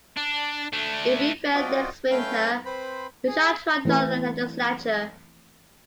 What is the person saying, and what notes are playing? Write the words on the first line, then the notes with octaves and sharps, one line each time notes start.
If we fail next winter, we shall try another legislature.
D4
A3 D4
C4 F4 F#4 D5 D#5
A3 C#4 B4 F5 G5 G6
C4 B4 C5 B5
G#4
E3 A3 C4 E4 B4